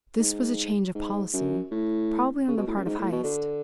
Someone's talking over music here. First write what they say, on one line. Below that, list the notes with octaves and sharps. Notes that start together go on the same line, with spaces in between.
This was a change of policy, probably on the part of Heyst.
G#2
G#2
F#2
A2
C#3
B2
A2
F#2
G#2
A2
B2
D3